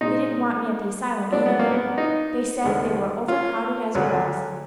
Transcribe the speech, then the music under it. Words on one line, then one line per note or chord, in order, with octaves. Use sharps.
They didn't want me at the asylum, either; they said they were over-crowded as it was.
A#2 G#3 D#4
G#2 F#3 D4
B3
A#3
B3
D#4
D#2 D3 G#3
F4
D2 D3 F#3